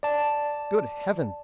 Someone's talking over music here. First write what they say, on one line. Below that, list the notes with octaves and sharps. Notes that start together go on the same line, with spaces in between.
Good heavens!
D5 A5